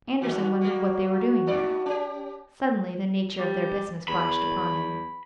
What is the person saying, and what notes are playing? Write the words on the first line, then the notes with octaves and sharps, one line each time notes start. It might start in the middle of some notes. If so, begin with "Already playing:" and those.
Andersen wondered what they were doing there Suddenly the nature of their business flashed upon him.
G2 D#3 E3 F#4
G3 A#3
G2 D#4 D5
C#4 G4
G3
E2 B5